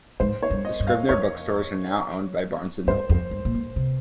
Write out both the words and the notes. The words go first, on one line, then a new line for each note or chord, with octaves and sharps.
The Scribner Bookstores are now owned by Barnes and Noble.
G#2 C5
C#5
G2
D#5
G2
F5
F2 C#5
G2 C5
F2
G2
A#2
G#2
C3